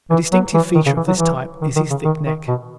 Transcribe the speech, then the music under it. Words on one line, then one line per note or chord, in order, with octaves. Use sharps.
A distinctive feature of this type is his thick neck.
E3
F#3
E3
D#3
C#3
E3
F#3
E3
D#3
D#3
C#3
D#3
D#3
B2